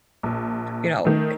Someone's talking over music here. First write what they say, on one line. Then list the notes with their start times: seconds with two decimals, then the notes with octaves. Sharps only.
you know,
0.23 A#1
1.05 D#3 A3